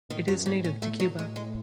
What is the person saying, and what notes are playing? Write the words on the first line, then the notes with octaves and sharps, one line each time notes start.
It is native to Cuba.
A2 D#3
F#2 F#3
G#2 C#4
A2 C#4
A2 A3
F#3
G#3
G#3